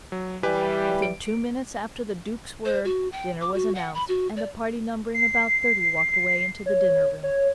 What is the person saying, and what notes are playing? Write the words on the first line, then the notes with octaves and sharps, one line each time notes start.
Within two minutes after the Duke's word dinner was announced, and a party numbering about thirty walked away into the dinner-room.
F#3
E3 G3 G4 B4 G#5
D7
C5
F#4
G5
D6
F#4
F#5
B5
F#4
D5
C7
C#5
C#5